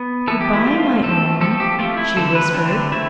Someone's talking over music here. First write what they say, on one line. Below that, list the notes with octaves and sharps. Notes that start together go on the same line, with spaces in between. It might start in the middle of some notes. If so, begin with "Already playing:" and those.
"Good-bye, my own," she whispered.
Already playing: B3
E3 B3 A4
G4
E4
F3 A3 C4 F4
F3 A3 C4 A4
F3 A3 C4 A4
G4
F3 A3 C4 F4
E4
D3 A3 C4 A4
B4
D3 A3 C4 D4
A3 C4 E4